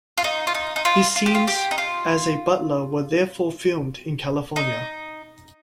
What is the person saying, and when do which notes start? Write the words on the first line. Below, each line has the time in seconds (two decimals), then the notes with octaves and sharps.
His scenes as a butler were therefore filmed in California.
0.18 F4
0.24 D#4
0.47 F4
0.55 D#4
0.76 D#4
0.85 F4
1.16 F4
1.26 G4
1.35 F4
1.47 G4
1.71 D#4
1.78 F4
4.56 D#4